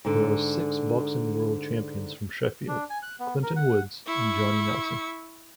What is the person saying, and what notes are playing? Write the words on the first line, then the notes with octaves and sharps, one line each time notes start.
There are six boxing world champions from Sheffield, Clinton Woods and Johnny Nelson.
G#2 D3
D4
G#5
F#6
B3
A#4
F#5
E4 C#6